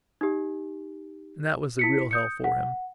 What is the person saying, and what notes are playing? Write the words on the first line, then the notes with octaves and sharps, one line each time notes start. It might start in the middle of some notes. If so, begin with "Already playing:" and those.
And that was the real hell for him.
D#4 G4
E4 B6 C#7
D#6 G6 C#7
F#5